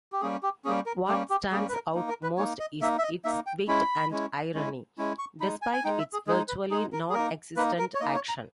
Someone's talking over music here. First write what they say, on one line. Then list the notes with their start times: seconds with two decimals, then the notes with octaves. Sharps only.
What stands out most is its wit and irony, despite its virtually nonexistent action.
0.12 G4
0.21 G3 A#3 C#4 G#4
0.43 G4
0.65 G3 A#3 C#4 G#4
0.86 A#4
1.08 G3 A#3 C#4 G4
1.30 G4
1.51 G3 A#3 C#4 G#4
1.69 B4
1.73 A#4
1.94 A#3 D#4
2.09 A#4
2.23 B4
2.37 A#3 D#4 C#5
2.60 D#5
2.81 A#3 D#4 E5
2.98 E5
3.03 D#5
3.25 A#3 D#4 E5
3.46 G5
3.68 G#3 C#4 E4 B5
4.11 G#3 C#4 E4
4.54 G#3 C#4 E4
4.98 G#3 C#4 E4
5.19 C#6
5.40 D#4 B5
5.44 G#3
5.62 G#5
5.73 G#5
5.84 G#3 D#4 G5
5.99 E5
6.13 G#4
6.27 G#3 G#4
6.30 D#4
6.48 B4
6.70 G#3 D#4 G#4
6.92 A#4
7.10 G#4
7.14 A#3 D#4 A#4
7.56 A#3 D#4 B4
7.79 A#4
7.94 C#5
8.00 A#3 D#4 D#5
8.15 C#5
8.29 A#5